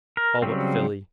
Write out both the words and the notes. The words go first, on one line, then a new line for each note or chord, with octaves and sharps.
All but Philly.
A#4
C#3 F#3 G3 C4